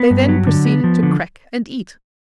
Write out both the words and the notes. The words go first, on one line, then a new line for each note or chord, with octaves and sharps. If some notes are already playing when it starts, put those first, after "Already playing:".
They then proceeded to crack and eat.
Already playing: B3
G2
F#3
D3
B3
F3
D3